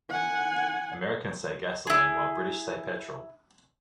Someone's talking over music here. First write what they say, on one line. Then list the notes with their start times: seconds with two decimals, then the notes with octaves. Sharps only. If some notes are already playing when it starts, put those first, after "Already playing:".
Americans say gasoline while British say petrol.
0.10 F#5 G#5
1.87 E4 G#4